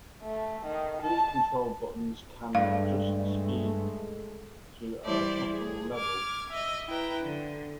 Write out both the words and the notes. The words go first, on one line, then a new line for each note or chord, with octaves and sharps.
Cruise control buttons can adjust the speed to a comfortable level.
A3
D#3
A5
G2 G#3 A3 F5
E3 G3 E4 G4 C5 D5
G#4
D6 F6 G#6
D#5 E5
E4 B4 G5 A#5
D3